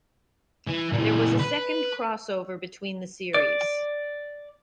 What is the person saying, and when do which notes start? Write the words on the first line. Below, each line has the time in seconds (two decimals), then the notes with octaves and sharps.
There was a second "crossover" between the series.
0.67 E3
0.92 A#2 E3
1.39 B4
3.34 D5